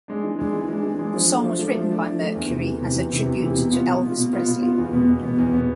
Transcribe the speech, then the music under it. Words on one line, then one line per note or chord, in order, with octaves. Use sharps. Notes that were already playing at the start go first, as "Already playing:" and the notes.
The song was written by Mercury as a tribute to Elvis Presley.
G#3 D4
E3
G#3 D4
E3
G#3 D4
E3
G#3 D4
F3
A3 D4
F3
A3 D4
F3
A3 D4
F3
A3 D4
E2
C3 E3
E2
C3 E3
E2
C3 E3
E2
C3 E3
B2
B3 F4
B2
B3 F4
B2
B3 F4
B2
B3 F4
E2
B2 B3
E2
B2 B3
E2
B2 B3